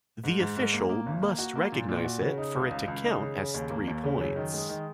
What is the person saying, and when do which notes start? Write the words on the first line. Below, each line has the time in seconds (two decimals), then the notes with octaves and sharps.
The official must recognize it for it to count as three points.
0.24 G#2
0.39 G#2
0.56 G#2
0.73 A#3
0.89 A#3
1.06 G#1
1.22 A#3
1.38 F#4
1.55 A#3
1.72 A#2
1.89 A#2
2.04 F#4
2.21 C#3
2.37 D#4
2.55 C#2
2.71 C#2
2.87 C#2
3.04 D#4
3.20 C#3
3.38 C#3
3.54 D#2
3.70 A#3
3.88 D#2
4.04 C#3
4.21 F#2
4.36 D#3
4.54 G#3
4.69 D#3